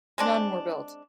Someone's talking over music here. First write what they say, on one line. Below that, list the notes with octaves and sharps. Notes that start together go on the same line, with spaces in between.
None were built.
G#3 C4 D4